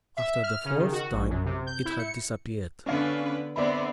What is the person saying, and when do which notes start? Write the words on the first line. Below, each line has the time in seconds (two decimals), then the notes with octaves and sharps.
After the fourth time, it had disappeared.
0.17 E5
0.43 F6
0.65 C#3
0.78 D#3
0.92 F#4
1.13 A#1
1.30 F#2
1.45 C3
1.67 G6
1.85 E4
1.99 C#7
2.86 D3 B3 C#4 D4 B4 F5
3.56 D3 B3 C4 D5 E5 B5